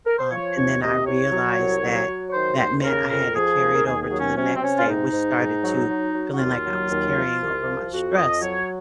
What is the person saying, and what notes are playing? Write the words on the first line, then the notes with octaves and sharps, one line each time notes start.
Um, and then I realized that, that meant I had to carry it over to the next day which started to feeling like I was carrying over my stress.
A#4
C5
F3 C#5
D#2 C#5
C3 D#5
C2 C#5
F#3
C2
F#3
F#3
C#5
D#3 C5
D#2 C5
C5
C#3 A#4
F2 A#4
F3 G#4
D#2
A#4
D#2 G#4
G#4
F#3
C#4
C3 C#4
C4
C3 C#4
F4
G#2 D#4
G#2
G#2
F#3
F#3
F#3
F#4
D#2 F4
F#3
D#2
F3
C2
F3
F2 F#4
F2 D#5
F#3 C#5